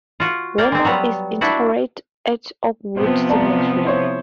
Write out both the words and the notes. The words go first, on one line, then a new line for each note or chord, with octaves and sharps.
Warner is interred at Oakwood Cemetery.
F4 F#4
A#3 A#4 D5 G5
G#3 C4
F#3 G3 B3
D4 E4 F#4
C3 F3 B3 C5
D5 A5 A#5
E4 C5 C#5